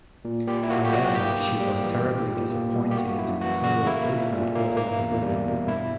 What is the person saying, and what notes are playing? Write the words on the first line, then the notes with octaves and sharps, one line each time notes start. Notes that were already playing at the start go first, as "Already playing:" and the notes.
However, she was terribly disappointed her replacement was not a woman.
A#2
A#2 G4
E4
A#3 F#4
G4
F#3 F#4
A#3 G4
G2
G3
E3
A#2
A#2
A#3
G3
G4
A#3 F#4
F#2 E4
E3 F#4
C#3 F#4
A#3 E4
A#2
A#2
A#3
A#3
E2
G3
B2
G2 E4